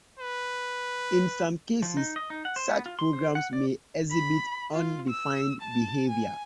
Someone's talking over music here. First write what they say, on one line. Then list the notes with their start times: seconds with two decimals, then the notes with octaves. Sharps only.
In some cases, such programs may exhibit undefined behavior.
0.20 B4
1.82 F3
1.97 D#4
2.16 D#5
2.30 D#4
2.45 F#5
2.56 C5
2.69 B3
2.86 F4
2.99 C6
3.13 C5
3.35 F#5
3.53 D5
4.10 B5
4.73 F4
5.10 E6
5.61 A5
6.09 G#5